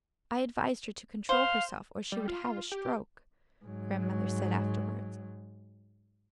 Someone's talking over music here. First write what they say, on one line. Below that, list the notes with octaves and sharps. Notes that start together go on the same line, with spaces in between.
"I advised her to control herself, or she would have a stroke," grandmother said afterwards.
C5 F5
G3
F4
G4
G#2 F#3